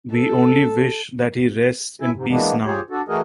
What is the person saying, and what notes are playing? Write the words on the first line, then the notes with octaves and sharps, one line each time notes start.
We only wish that he rests in peace now.
A4
A2 E4 E5 G#5
G#2 C3
E3 G#3 A#3 B3 D4
F4 G4 G#4 C5 C#5
D4 F#4 A4
E3 A3 F#4 G#4 A#4 D#5